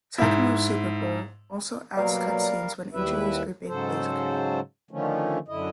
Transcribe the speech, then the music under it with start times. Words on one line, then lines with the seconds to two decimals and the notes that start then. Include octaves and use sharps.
"Tecmo Super Bowl" also adds cut scenes when injuries or big plays occurred.
0.18 G#2 E4
1.97 B2 F#3 G3 A#3 A#4 D5 F5
2.93 D#2 G3 E4 B4 E5
3.68 G#2 C#3 F#3 A4 C5
4.91 D3 D#3 F3 A3 C#4
5.48 F#2 D3 E4 D#5